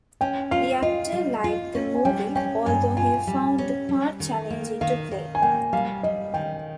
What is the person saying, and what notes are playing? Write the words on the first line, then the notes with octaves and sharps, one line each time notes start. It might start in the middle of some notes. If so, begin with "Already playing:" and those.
The actor liked the movie although he found the part challenging to play.
C#4 G5
F4 F5
F4 D#5
G3
F4
C#4
G#5
G3 G5
C#4 G5
G2 G#5
F4 G#5
G3
C#4
G3
D#3
A#3
D#3 F5
D#3
G#5
A#3 G5
G3 F5
G3 D#5
D#3 G5